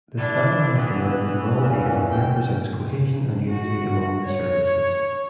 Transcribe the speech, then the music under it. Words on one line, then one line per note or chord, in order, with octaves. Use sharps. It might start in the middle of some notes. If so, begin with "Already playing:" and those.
The stylized American bald eagle represents cohesion and unity among the services.
D4 E4 D5
E3 B3 F#4
E2 A#2 C#4
G5
F#4
C#5